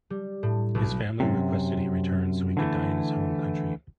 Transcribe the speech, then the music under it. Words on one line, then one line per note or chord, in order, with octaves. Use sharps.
His family requested he return so he could die in his home country.
G3
A2
B1
F#2 C3
D3 E3 A3